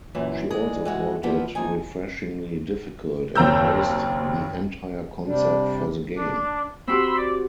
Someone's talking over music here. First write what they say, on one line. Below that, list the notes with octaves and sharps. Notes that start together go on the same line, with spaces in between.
She also called it "refreshingly difficult" and praised the entire concept for the game.
F#2 A#2 E3
E3 G#3 G#4 D5
E3 G#3 F#4
D2 F3 A#3 B3 E4
F3 A#3 D#4 G#5
F#1 D#2 C4 A#5 E6 G6
C3 G3 D4
D4
C4 F#4 G4 B5 C6 E6
D5